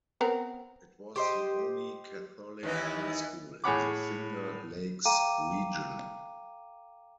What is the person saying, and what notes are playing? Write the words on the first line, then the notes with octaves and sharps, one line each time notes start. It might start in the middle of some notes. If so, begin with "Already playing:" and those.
It was the only Catholic high school in the Finger Lakes region.
B3 C4 A#4
G4 C5 D#5
D#2 E3 D#4
A2 G#4 C#5 F#5 B5 D6
A4 F5 G5 A#5 D6 D#7